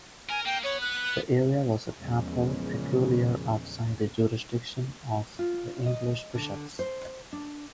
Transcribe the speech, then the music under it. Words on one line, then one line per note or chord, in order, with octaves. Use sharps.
The area was a papal peculiar outside the jurisdiction of the English bishops.
A#4 G#5
A#3 G5
B3 B4 C#5
F#6
E2 A#2 C#3 F3 G#3
F4
D#5
D3
C5
D4